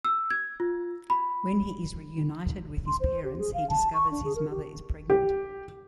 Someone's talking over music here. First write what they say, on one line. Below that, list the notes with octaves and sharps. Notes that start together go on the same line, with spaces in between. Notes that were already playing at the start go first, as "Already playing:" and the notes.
When he is reunited with his parents, he discovers his mother is pregnant.
E6
G#6
F4
B5
C6
C5
G4
G#4
F5
A5
C#6
D4
G#4
A#4
G4
G4